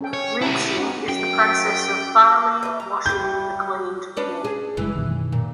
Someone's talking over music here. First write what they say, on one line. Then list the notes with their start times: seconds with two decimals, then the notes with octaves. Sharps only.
Rinsing is the process of thoroughly washing the cleaned wool.
0.01 C#4 A4 G5
0.13 C#5
0.41 E4 G4 F#5 A5 A#5
0.78 C#4 D#4 F#5
1.09 F#2 G5
2.63 B4 E5
2.80 A#5
3.06 G3 A3 G6
4.16 C#4 D4 B4
4.45 G#4
4.77 F#1 G2 E3 G#3
4.95 F#2 B2 D#3
5.32 A#2